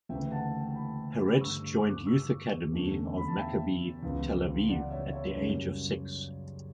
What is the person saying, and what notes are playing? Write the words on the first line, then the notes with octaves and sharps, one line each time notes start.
Peretz joined youth academy of Maccabi Tel Aviv at the age of six.
D2 C#3 E3 A3 E5 G5
F#5 A5
G5
A5
G5 B5
B5 D6
G2 D3 A3 C#6 E6
D6 F#6
C#6 E6
E2 D3 A3 C#4
B5
A5
E5 G5
C#2 C#3 E3 B3
D5 F#5
C#5 E5
C#5 E5
F#2 C#3 G3 C#5